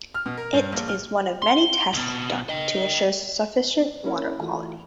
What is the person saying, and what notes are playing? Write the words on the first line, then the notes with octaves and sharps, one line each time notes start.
It is one of many tests done to assure sufficient water quality.
F6
B2
A#4
G2
A#1
F6
C6
D2 B2
D#5 G5
A#3 C#4 D4 E4 A#4 C#5
E3 A3 F4 F#4